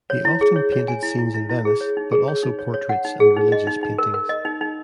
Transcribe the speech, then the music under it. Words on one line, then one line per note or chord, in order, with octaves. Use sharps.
He often painted scenes in Venice, but also portraits and religious paintings.
C#5
E4
G#4
C#5
C#5
G#5
E4
E4
E4
E4
G#4
C#5
D#4
G#4
C#5
D#4
C#5
C#5
F#5
D#4
G#4
D#4
D#5
D#4
D#4
A#4
A#4
D#5
D#4
D#4